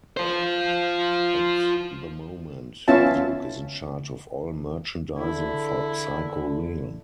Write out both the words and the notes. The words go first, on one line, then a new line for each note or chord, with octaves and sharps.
At the moment, Duke is in charge of all merchandising for Psycho Realm.
F4 C5
B3 C#4 E4 F4 E5 A5
E2 D3 E4